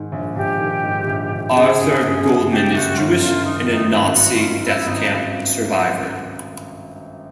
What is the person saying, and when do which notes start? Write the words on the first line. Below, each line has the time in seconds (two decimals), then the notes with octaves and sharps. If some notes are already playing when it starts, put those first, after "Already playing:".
Arthur Goldman is Jewish and a Nazi death camp survivor.
Already playing: G#2 D#3
0.12 A#1
0.36 A#1 G4
0.60 D#3
0.83 G#2
1.07 A#1
1.31 A#1
1.55 C#3 G#4
1.78 F#2
2.02 G1
2.26 G1
2.50 C#3 G4
2.73 F#2 F#4
2.97 G1 F4
3.20 G1 F4
3.45 D#3 D#4
3.68 F#2 D#4
3.92 G#1 E4
4.15 G#1 F#4
4.39 D#3 F4
4.63 F#2 E4
4.87 G#1 D#4